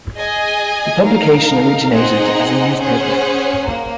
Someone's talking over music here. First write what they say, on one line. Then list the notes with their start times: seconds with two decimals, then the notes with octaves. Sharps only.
The publication originated as a newspaper.
0.15 G#4 D#5 G#5
1.03 D#4 A#4 F5
1.91 C4 D#4 G#4 D#5 F#5
2.78 C#4 G#4 C5 F#5
3.67 A#3